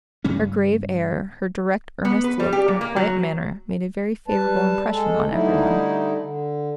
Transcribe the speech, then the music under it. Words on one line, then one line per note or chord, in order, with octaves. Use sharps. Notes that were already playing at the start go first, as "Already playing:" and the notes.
Her grave air, her direct earnest look and quiet manner made a very favorable impression on every one.
G2 C#3 G3 C#4
B3
B4
G3
G4
A#2
A#3
F#3
G3 B4 A5
G#3 A4
D3 G3 A3 D#4 E4
D3